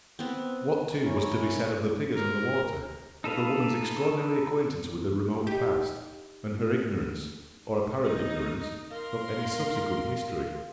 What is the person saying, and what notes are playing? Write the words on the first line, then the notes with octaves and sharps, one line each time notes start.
What, too, was to be said of the figures on the water, of the woman's extraordinary acquaintance with the remote past, and her ignorance, or apparent ignorance, of any subsequent history?
B3 C4
C#4 E4 A#4 C#5
A#4
D#4 A4 B4 F5
D#4 G4
D#4 D#5
A#4 F5 C6